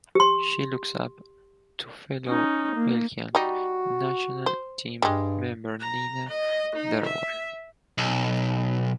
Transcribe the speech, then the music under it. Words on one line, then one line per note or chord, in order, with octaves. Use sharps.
She looks up to fellow Belgian national team member Nina Derwael.
G4 C6
C#4 D#4
A#3
G3 D#4 F#4
C5
G2 G3 G#3
A#5
D#5
D#4
E5
B1